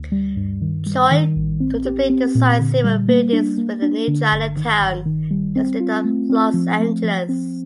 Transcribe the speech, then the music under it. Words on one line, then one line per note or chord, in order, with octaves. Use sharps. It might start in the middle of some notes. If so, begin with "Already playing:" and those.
Choy notably designed several buildings within the New Chinatown district of Los Angeles.
Already playing: D2
G3
G2
D#3
G3
D#3
A1
C4
G4
C4
A#2
D3
G3
A#3
D4
A#3
D4
D3
G1
D#3
G1
D#3
G3
C4
F4
A3
C4
F3
A3
F3
C4